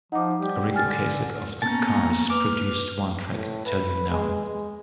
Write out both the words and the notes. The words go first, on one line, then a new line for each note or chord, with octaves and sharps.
Ric Ocasek of the Cars produced one track, Tell You Now.
F3 D#4 F#5 D6
G3 G4
D3 G#5 F6 A6
A#3 B3 C#4 A5 A#5
B4 D6 F6
A2
B4
G#3
G#3